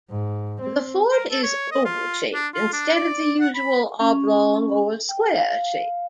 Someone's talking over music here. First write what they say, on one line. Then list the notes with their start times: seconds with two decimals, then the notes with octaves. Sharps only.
The fort is oval shaped instead of the usual oblong or square shape.
0.10 G#2
0.61 C4
1.11 A#4
1.31 A4
1.43 C#5
1.71 D#5
1.85 F4
2.34 D4
2.54 F4
2.73 D4
2.95 D5
3.40 F#5
3.55 B5
4.00 C#4
5.09 G5
5.35 F5